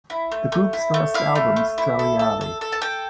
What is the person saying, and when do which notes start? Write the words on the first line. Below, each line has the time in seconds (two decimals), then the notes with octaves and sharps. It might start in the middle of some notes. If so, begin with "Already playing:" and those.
The group's first album Strelyali?
0.10 E4
0.32 A3
0.52 A3
0.73 E4
0.94 A3
1.14 E4 F5
1.35 A3
1.56 A3
1.78 E4
1.99 A4
2.19 A4
2.41 A4
2.61 A4
2.72 A5
2.82 A4 G5